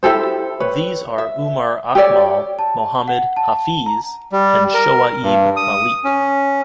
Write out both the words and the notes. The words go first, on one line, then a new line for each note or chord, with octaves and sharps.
These are Umar Akmal, Mohammad Hafeez and Shoaib Malik.
E4 G4 A4 C5
B4 C#5
E5
G4 A4 C#5 D5
A5
F#5
A5
A#5
G3
A#4
G2
D#6
C#4